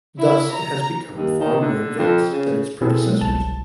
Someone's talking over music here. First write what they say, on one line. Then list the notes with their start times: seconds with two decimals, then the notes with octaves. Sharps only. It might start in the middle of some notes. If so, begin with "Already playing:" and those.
Thus it has become far more advanced than its predecessors.
0.19 E4
0.52 A#5
1.15 D#2
1.40 D#3
1.61 D3
1.99 F2
2.32 C#3
2.81 B2 C4 E4 G#4 A4
3.06 F#3 G#3
3.21 G1 C2 A5